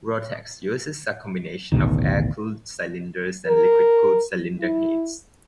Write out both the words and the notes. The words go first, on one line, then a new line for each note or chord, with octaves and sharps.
Rotax uses a combination of air-cooled cylinders and liquid-cooled cylinder heads.
A1 D2 B2 D#3
A#4
E4